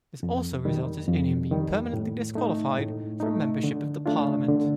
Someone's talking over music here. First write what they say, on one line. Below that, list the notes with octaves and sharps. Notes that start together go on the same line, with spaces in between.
This also resulted in him being permanently disqualified from membership of the parliament.
F2
D#3 G3
F2
D#3 G3
A2
A3 D#4
A2
A3 D#4
D3
A3 D4 F4
D3